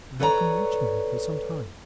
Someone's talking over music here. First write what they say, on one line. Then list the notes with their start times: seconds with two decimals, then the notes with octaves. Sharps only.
"I have been watching you for some time."
0.20 A4 B4 C#5 D5 G5 A#5